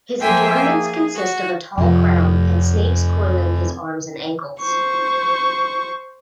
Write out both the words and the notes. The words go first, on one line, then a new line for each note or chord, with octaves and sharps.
His adornments consist of a tall crown and snakes coiling his arms and ankles.
F3 A#3 C5 E5 G5 G#5
G#4
F#4
F2 C3 F3
C5 C#6